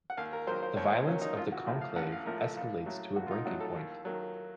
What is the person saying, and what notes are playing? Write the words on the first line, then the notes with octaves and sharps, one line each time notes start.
The violence of the Conclave escalates to a breaking point.
F#5
D#2 F5
A#4
D#3 F#3 C5
C5
D#2 C#5
C5
D#3 F#3 C#4
D#4
A1 F4
F#4
A2 F3
F5
A1 F#5
F5
A2 F3 A#4
A4
A#1
A2 F#3
A#1 F#4
F4
D#4
A2 F#3 F#4
A4
D#2
D#3 F#3